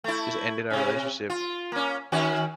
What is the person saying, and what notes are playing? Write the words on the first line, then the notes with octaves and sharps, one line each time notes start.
just ended our relationship.
A3 E4
C3 C#4
F4
A#3 C#4
D#3 C#4 F#4